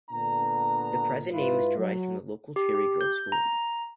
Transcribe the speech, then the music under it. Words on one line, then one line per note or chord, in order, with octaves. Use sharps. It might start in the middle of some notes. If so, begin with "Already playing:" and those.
The present name is derived from the local Cherry Grove school.
A#2 D3 B3 D4 A#5
G#2 E4 F4 B4
F#3
G4
G4
G6
A#5